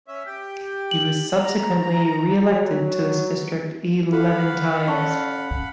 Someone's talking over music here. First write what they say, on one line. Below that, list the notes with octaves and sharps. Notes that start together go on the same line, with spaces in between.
He was subsequently reelected to this district eleven times.
C#4 E5
G4 G5
F#7
A#5
F#3
E4 A4 F5 F#5 B5
C#4 A4 D5 A5 C#6